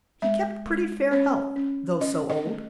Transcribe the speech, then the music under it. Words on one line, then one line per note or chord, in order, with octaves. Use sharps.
He kept pretty fair health, though so old.
G#3 E5
G#3
C#4 C#5
C#4
C#4 D#5
D#5
A3